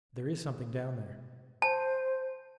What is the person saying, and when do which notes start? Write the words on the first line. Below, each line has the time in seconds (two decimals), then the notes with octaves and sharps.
"There is something down there."
1.62 C5 A5